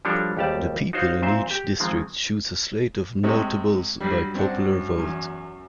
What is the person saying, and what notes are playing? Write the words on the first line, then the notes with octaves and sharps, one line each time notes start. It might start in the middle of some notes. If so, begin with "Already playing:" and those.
The people in each district chose a slate of "notables" by popular vote.
F3 G3 D4 F#4 A4 C#5
G#1 D#2 G3 G4 D5 A5
D#4 F4 F#4 C5 C#5
A#2 C4 C5 E5
G4
D#3 F3 G#3 C4
A2 C3 G#3
G2 F#3 G3
F#2 C4 D4 F#5
E2